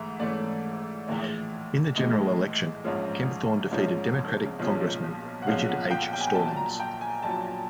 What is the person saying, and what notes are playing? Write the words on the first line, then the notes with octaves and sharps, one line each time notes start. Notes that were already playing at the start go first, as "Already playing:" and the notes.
In the general election, Kempthorne defeated Democratic Congressman Richard H. Stallings.
Already playing: G#2 E3 A3 E5
G#2 E3 A3 C#4 D5
A#1 A2 E3 G#3
A#1 A2 E3 G#3 D#5
A#1 G#2 F3 G#3 C#4
A#1 G#2 F3 G#3 C#4
B1 A#2 F3 G#3 C#4
F#5
B1 A#2 F3 G#3 C#4 F5
F#5
G5
G5
G#5
G5
A#1 A#2 F#3 A5
A#5
G5
G#5
A#1 A#2 F#3 A5